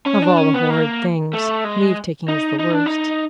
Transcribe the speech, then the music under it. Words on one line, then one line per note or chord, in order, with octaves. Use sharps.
"Of all horrid things, leave-taking is the worst."
C#4
D4
C#4
B3
A#3
A3
G#3
D#4
D#4
D4
D#4